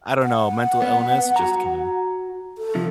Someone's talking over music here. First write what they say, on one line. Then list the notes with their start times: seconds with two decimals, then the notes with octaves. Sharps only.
I don't know. Mental illness? Just kidding.
0.23 F#5
0.82 B3
1.36 F#4 A#5
2.58 A4
2.75 C3 F3